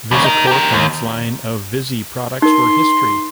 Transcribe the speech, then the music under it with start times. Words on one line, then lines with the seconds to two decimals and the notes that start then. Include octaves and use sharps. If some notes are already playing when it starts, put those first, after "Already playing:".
VisiCorp, and its line of "VisiProducts", were history.
0.11 D#2 C#3
0.24 D#4 A#4
0.47 G4 A#4
0.73 D#2
2.42 D#4 A#4 C6